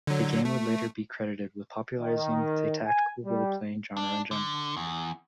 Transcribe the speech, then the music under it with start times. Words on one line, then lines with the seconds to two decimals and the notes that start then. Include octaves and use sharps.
The game would later be credited with popularizing the tactical role-playing genre in general.
0.07 D3 F#3
0.45 A3
1.99 D#3
2.86 G#5
3.25 G3
3.97 D4
4.31 D3
4.77 E2